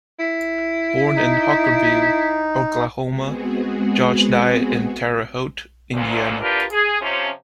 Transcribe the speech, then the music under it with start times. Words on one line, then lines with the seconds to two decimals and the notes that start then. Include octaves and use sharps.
Born in Hockerville, Oklahoma, George died in Terre Haute, Indiana.
0.19 E4
1.16 D#4
3.07 G#3 B3 C4 F#4 G#4
5.94 D2 A#2
6.40 E2 D4 F4 G4 A#4 B4
6.72 G#4
7.01 C3 F3 C#4